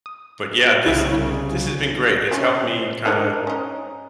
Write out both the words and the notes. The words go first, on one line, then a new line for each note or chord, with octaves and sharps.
but yeah, this has this has been great. It's helped me kinda,
D#6
C2 C#3 E4 E5
C4 C#4 C#5
D#3 D4 D#4
C#4 D#4